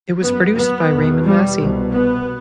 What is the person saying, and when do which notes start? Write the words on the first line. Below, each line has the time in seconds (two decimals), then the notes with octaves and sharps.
It was produced by Raymond Massey.
0.21 F#2 B3
0.55 B3
0.89 E2 B2
1.24 G3
1.57 C2 B2
1.92 B3